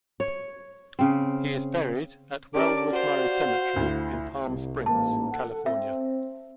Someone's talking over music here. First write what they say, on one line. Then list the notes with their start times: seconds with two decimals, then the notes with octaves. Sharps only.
He is buried at Welwood Murray Cemetery in Palm Springs, California.
0.20 C#5
0.99 C#3 C4
2.54 C#4 G4 A#4 D5 A5 D6
2.93 F#4 C5 F5
3.76 D2 E4
4.47 C2
4.86 A1 G#2 A#3 A5
5.31 A4 F#5
5.66 C4 E5